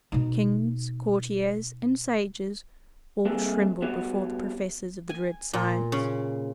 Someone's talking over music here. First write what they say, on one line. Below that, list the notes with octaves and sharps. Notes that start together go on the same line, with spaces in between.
Kings, courtiers, and sages, all trembled before the professors of the dread science.
B2 D#4
G3 A#3 C4 G#4 A4 B4
G3 B3 F#4 C#5
G#5
A#2
C#3